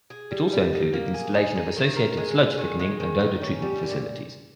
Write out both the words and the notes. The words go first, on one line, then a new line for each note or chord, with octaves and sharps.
It also included the installation of associated sludge thickening and odour treatment facilities.
G#4
G3
G3
D#4
A#3
G#4
G#4
D#4
D#3
A#4
G#3
G#3
D#3
G#3
D#3
D#4
C#4
G3
A#2